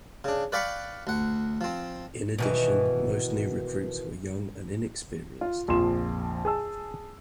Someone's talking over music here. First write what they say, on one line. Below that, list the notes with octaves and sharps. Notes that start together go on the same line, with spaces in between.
In addition, most new recruits were young and inexperienced.
C#3 D4
B4 D5 F5 G5 B5 C#6
D2 F#5
F3 C4
B2 D#3 E3
F4
A#1 F2 F3 C6 E7
G#4 A5 E6